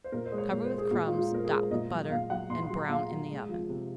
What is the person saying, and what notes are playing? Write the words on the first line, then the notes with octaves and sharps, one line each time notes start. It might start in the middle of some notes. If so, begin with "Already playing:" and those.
Cover with crumbs, dot with butter, and brown in the oven.
C5
A#2 A#4
C5
G#3
C#5
A#2 A#4
C5
G#3
G#4
A#2 F#4
F4
G#3
F4
A#2 A#4
G#4
G#3
A#2 D#5
F#3
A#2 F5
F#3 F#5
A#2 C6
C6
F#3
A#5
A#2 F5
F#3
G#3
F3
C3